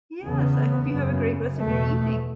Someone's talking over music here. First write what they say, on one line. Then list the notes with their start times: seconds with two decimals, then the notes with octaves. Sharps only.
Yes. I hope you have a great rest of your evening.
0.23 E2 C#3 B3
0.92 F#2 C#3
1.61 E2 B2 A3